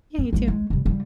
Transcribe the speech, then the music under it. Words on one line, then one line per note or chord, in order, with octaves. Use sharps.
Yeah, you too.
C4
A#1 G#3
G#3
C3 G3
C#3 G3